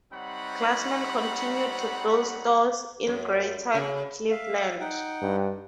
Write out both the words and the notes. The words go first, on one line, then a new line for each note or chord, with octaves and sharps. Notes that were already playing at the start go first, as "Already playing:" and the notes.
Glassman continued to build stores in Greater Cleveland.
G3 C4 D#4 C#5 F#5 B5
F#2
C#3
E5 F5
D#4 F#5 G5
G2